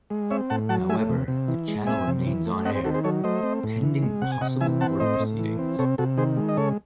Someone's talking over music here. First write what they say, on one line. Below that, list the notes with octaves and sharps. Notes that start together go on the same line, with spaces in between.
However the channel remains on air pending possible court proceedings.
G#3
C4 C#5 E5
A2 F#5 A5
F#3 F#5 A5
A3 E5 G#5
C3
C3
E3
G#3
C4 E5 G#5
C3
E3
A3
C4 D#5 F#5
G#4 C5
D#3 F#4 A4
G#4 C5
F#3 A4 C#5
A3 C5 D#5
C4
A2
E3
G#3
C3 F#5
G#5
C3 D#5 F#5
E3 E5 G#5
C4 F#5 A5
A2 C5 D#5
A2
E3
C4
C3 A4 C#5
C3 F#4 A4
D#3 G#4 C5
G#3
D#5
C#3 A4 C#5